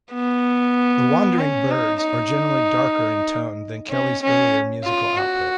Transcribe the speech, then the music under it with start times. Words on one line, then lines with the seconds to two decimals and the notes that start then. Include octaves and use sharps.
The Wandering Birds are generally darker in tone than Kelly's earlier musical output.
0.13 B3
1.39 C#4
1.71 D#4
2.02 D#4
3.90 C#4
4.22 C#4
4.85 F4
5.17 F#4